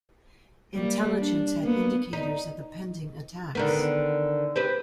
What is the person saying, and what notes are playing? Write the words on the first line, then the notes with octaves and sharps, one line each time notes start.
Intelligence had indicators of the pending attacks.
G3 A#3
D4
A#3 B3
D#4
D3 D#3 B3
C4 G4 B4